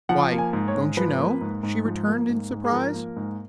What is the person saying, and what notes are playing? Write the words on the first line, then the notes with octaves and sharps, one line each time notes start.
"Why, don't you know?" she returned, in surprise.
F3 F#5
A#3
G#5
G#2
C#5
G#2
F3 B4
A#3
G#2
G#2
F3
A#3
G#2
G#2
G#4
F3 A#4
A#3
G#2